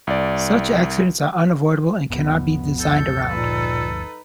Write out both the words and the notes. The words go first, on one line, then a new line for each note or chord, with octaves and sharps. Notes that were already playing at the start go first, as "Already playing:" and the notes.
Such accidents are unavoidable and cannot be designed around.
C2 D5
G1 D2 F3 B3
F2 A4 G6
A#2 D#4 B4